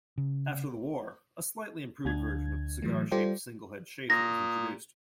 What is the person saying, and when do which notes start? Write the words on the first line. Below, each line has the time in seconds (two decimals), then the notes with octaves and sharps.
After the war, a slightly improved version of the cigar-shaped single-head shaver was introduced.
0.18 C#3
2.05 D2 D4 G#6
2.82 A2 E3 F#3 A3
3.12 G3 F4 A4 C5 D5 G5
4.10 A#2 D#6 A#6